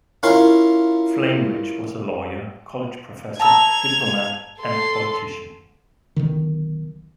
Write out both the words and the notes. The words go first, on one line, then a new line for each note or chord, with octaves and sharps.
Flamerich was a lawyer, college professor, diplomat, and politician.
C#4 E4 F4 A#4 F5 C6
A5 A#5 E6 G#6 F7
A4 C6
B1 B2 D3 D#3